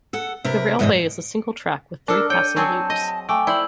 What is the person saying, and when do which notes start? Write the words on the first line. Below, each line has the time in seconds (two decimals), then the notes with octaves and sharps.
The railway is single track with three passing loops.
0.13 A4 F#5
0.44 C3 A#4 B4
0.79 E2 G#2 C3 D#3 E3 D#5
2.08 D4 A4 A#4
2.30 C#5 G5 G6 C#7 D#7
2.56 F#3 C4 G#4 A5
2.90 D#5
3.29 A3 G5 G#5 D6 D7
3.47 E4 C5 D5 F#7